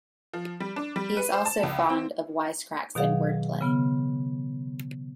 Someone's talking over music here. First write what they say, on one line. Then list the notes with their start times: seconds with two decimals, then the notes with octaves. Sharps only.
He is also fond of wisecracks and wordplay.
0.33 F3
0.60 G3
0.76 D4
0.96 G3
1.17 B4
1.33 C5
1.46 A5
1.63 C#2
1.89 C4
2.95 B2 D#3 F#3 G#4 F5 F#5
3.61 C#3 B3 F6